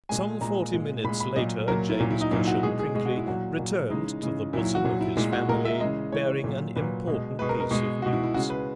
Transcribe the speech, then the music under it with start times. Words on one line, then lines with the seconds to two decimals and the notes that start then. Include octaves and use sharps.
Some forty minutes later James Cushat-Prinkly returned to the bosom of his family, bearing an important piece of news.
0.09 A#2 G#3 G#5
0.41 A#2 G#3 A#5
0.73 A#2 G#3
1.04 A#2 B5
1.09 G#3
1.20 B5
1.36 A#2 F#3 D#5
1.68 A#2 F#3 A#4
1.89 E4
1.99 A#2 F#3
2.11 E4
2.21 D#4
2.31 A#2 F#3 E4
2.47 F#4
2.63 B2 G#3 G#4
2.79 G#4
2.95 B2 G#3 G#4
3.06 F#4
3.17 E4
3.27 A#2 F#3 F#4
3.58 A#2 F#3
3.90 C#3 E3 G#3 D#4
4.22 C#3 E3 G#3
4.53 A#2 F#3 E4
4.64 E4
4.75 F#4
4.85 A#2 F#3
5.01 E4
5.17 A#2 G#3 E4
5.32 F#4
5.48 A#2 A#4
5.52 G#3
5.65 E5
5.80 C#3 E3 G#3 D#5
6.12 C#3 E3 G#3 C#5
6.44 A#2 F#3
6.76 A#2 F#3 B4
7.07 B2 G#3
7.39 B2 G#3 B4
7.49 A#4
7.60 A#4
7.71 B2 G#3
8.02 B2 G#3 F#4
8.13 E4
8.23 E4
8.34 C#3 F#4
8.37 G#3
8.50 B4